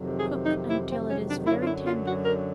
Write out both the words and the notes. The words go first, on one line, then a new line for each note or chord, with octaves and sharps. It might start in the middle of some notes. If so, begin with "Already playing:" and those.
Cook until it is very tender.
Already playing: F2 C3 D#3 F#3
G#4
D#4
E4
C4
C#4
D4
F#2 D3 F#3 E4
F4
E4
F4
F#4
A#4